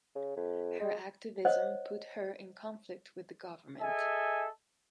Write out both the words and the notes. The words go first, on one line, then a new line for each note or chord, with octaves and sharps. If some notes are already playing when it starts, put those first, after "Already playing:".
Her activism put her in conflict with the government.
C#3
F2
G#3
C5 C#5 D#5 F#5
G#4 A4 D#5 E5 G#5